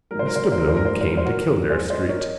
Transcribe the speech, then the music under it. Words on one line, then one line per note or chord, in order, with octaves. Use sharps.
Mr Bloom came to Kildare street.
G#2 D#3 F#3 A#4
C5
A#4
C5
A#4
C5
A#4
C5
A#4
C5
G#2 D#3 F#3 A#4
C5
A#4
C5
F#4 A#4
G#2 D#3 F#3 G#4 C5
C5 D#5
D#5
A#4 C#5
D#5